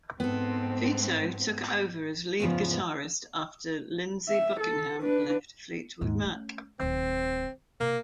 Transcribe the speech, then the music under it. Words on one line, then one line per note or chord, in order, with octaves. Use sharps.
Vito took over as lead guitarist after Lindsey Buckingham left Fleetwood Mac.
G#2 B3 C4 A4
E2 G#2 C#3 F3 B3
E5
A4
D4 B4
D#2 G#2
A3 C#4
D1 D#3 C4
C3 A#3